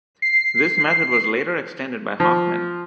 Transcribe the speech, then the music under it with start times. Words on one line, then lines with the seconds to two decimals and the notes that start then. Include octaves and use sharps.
This method was later extended by Hoffman.
0.22 C7
2.20 F3